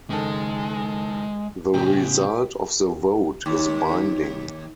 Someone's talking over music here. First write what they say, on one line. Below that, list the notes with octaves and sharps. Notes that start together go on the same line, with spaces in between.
The result of the vote is binding.
F#1 D#3 G#3 A4
A2 C#3 G4 G5
D#2